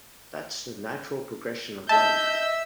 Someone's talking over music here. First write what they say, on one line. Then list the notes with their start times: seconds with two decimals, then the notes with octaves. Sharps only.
That's the natural progression of life.
1.89 D#5 E5 A5 E6 G6